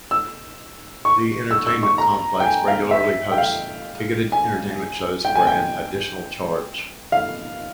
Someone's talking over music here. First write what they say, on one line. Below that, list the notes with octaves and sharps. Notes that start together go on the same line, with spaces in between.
The entertainment complex regularly hosts ticketed entertainment shows for an additional charge.
E6
C#6
E6
E6
C#6
A#5
G5
G#5
F5
E5
G5
F5
G#5
G5
G#5
G5
F5